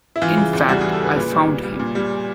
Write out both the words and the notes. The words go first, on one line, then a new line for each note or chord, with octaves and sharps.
In fact, I found him.
E4
E3 F4
C#3
E2
G3 F#4
E3 G#4
A4
C#3 B4
A#2 B4
G3
A#2
G3
A#2
G3